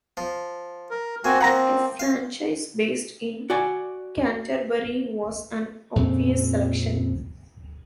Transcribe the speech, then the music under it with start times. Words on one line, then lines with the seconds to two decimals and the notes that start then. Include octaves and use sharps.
A franchise based in Canterbury was an obvious selection.
0.17 F3
0.91 A#4
1.25 A#3 C4 F#4 G#5
1.41 F3 A#3 C4 F#5 A#5 A#6
1.99 F5
3.50 F#4 D5 G#5
5.96 F2 A#2 C#3 C4